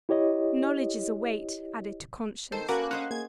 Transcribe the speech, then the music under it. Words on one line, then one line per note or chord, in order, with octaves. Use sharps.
"Knowledge is a weight added to conscience."
E4 G4 C#5 D#5
D#3 A4 C5
A#3 C#4 F#4 A#4 B4 F#5 D6
C#4 F#4 C5 D#5 F#6
A#3 G#4 G#6